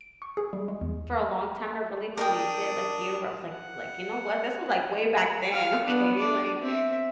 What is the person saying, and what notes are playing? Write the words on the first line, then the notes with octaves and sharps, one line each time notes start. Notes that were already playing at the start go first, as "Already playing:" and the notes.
for a long time I really believed it, like you, where I was, like like, "You know what? This was, like, way back then, okay, like,
D7
C#6
G#4
G3
G#3
E2
D4 A#4 G5 D#6
F#5
F5
B3 D4
D4 D5
C4 E5